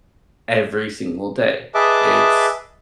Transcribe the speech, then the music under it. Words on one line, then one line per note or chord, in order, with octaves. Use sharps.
every single day. It's
G#4 B4 D#5 E5 A5 D6